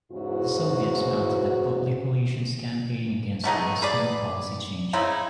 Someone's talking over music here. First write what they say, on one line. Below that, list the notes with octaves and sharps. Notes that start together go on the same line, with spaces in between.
The Soviets mounted a public relations campaign against the Western policy change.
E2 G#2 C#3 E4 F#4
A3 B3 D#4 G#4
G#4 B4 D5
C#3 C4 D#4 E4